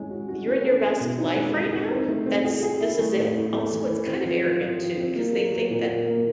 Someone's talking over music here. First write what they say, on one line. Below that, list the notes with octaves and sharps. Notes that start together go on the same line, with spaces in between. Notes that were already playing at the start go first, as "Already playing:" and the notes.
you're in your best life right now? That's this is it?” Also, it's kind of arrogant, too, because they think that
Already playing: G#3 C#4
F#4
F#4
C#4
A4
C4
B2
D#4
G#3
D#4
D#4
C4
A3
C4
G#4
G#4
E4
A3
A2
A2
A3
E3
E3
C4
F3
F3
F3
F3
C4
A#3
F#3
F#3
A#2
A#3
A#3